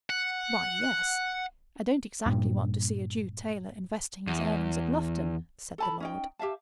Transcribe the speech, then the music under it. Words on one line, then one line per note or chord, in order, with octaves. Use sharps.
"Why, yes: I don't exactly want to see a Jew tailor investing his earnings at Lufton," said the lord.
F#5
G2 A#2
E2
A4 A5 B5
C#4 D#4 G5
G4 E5 F5 A5